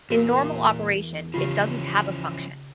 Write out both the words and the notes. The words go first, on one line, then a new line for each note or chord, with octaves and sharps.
In normal operation it doesn't have a function.
E2 A#2 F#4 A#4
C#3 F3 C#4 F4 G4 C7